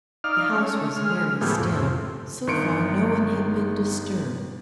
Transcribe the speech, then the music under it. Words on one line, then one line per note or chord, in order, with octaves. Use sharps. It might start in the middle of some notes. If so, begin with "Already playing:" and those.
The house was very still; so far no one had been disturbed.
D#4 D5 F5 F6
A3 C#4
G#3 F6
A2 F3 A3 B3 G4 G#4
F2 A2 C3
G1 D#3 C6 C#7 D7